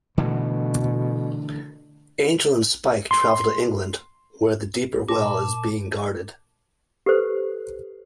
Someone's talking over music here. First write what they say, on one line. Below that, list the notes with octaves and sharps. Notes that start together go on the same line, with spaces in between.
Angel and Spike travel to England where the Deeper Well is being guarded.
B2 D3 E3 A3
C6
A#2 A5 C6 D6 A#6
G4 A4 B4 C5